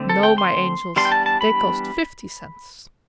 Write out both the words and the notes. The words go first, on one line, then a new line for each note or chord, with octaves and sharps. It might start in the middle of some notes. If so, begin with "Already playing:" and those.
"No, my angels; they cost fifty cents."
Already playing: D3 A3 C4
A4
G5
C6
E3 G3 B3 D4 C6
G5
A5
A5
B5